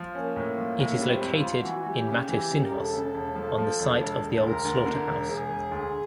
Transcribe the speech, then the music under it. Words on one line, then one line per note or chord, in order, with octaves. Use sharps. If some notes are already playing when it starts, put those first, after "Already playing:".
It is located in Matosinhos on the site of the old slaughterhouse.
Already playing: F3
A#3 C#4
A2
F3
A2
C#4
G3 C4
F2
F4
F2
G4
F#4
E3
F#4
E3 G4
C#3
E3
C#3
A#4
E1 A4
C#3
E1
F3
F3
E1
E1
E1
A4
D2 A#4
D2
D3
E1
E1 G#4
E1
D2